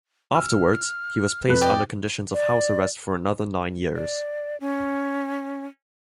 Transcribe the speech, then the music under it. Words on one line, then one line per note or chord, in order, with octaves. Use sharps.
Afterwards, he was placed under conditions of house arrest for another nine years.
E6 F6
F2 B4 F#6
G4 D5 D#5
D5
D5
C#4